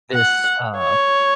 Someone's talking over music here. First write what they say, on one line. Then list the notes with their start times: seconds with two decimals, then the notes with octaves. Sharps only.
This, uh,
0.14 F#5
0.78 C#5